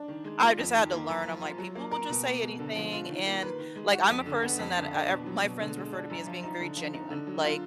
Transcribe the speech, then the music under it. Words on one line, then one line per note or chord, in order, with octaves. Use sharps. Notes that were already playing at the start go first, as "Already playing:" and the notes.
I just had to learn, I'm like, "People will just say anything," and, like, I'm a person that, uh uh my friends refer to me as being very genuine, like,
Already playing: D4
D#3
G#3
F4
F2
D#3
A#3
F#2
F3
F4
F#3
A#3
A#4
B2
A#3
B2
D3
F3
F4
D#3
A#3
B4
D#3
G#3
F#4
F2
D3
B3
F2
D3
D4
B2
F#3
B2
D3
G#3
D4
F#2
F3
D#4
D3
F3
D#4
D3
F#3
F4